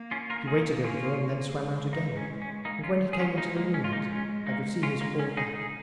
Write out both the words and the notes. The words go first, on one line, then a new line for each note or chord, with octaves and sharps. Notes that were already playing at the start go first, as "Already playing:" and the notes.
He waited a little and then swam out again; and when he came into the moonlight I could see his whole back.
Already playing: A#3
C#4 F4
F4 A#4
A#3 D#4 G#4
C#4 F4
A#3
G#3
A#3 D#4
C#4
C#4
A#3 D#4
C#4 F4
G#4
C#4 F4
G#3 A#3 D#4
A#3
C#4
F4
A#3 D#4
C#4
A#3 D#4
C#4 F4
A#3
C#4
D#4 G#4
D#4 G#4